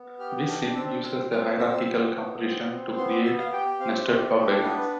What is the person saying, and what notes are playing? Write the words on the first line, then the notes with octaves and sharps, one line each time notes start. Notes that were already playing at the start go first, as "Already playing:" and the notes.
VisSim uses a hierarchical composition to create nested block diagrams.
Already playing: B3
G4 F6
D4 F6
D6
C4 E6
C4 E6
C4 F6
C4 E6
B3
B3
C4
C4
B3 C6
D6
B3 E6
F5
G4 G5
C4 F5
G4 E5
D5
D4
A4
B3 B4